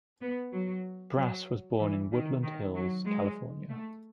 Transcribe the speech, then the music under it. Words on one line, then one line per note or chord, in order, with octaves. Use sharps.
Brass was born in Woodland Hills, California.
B3
F#3
F#3
E3
D#3
D#3
F#3
G#3
A3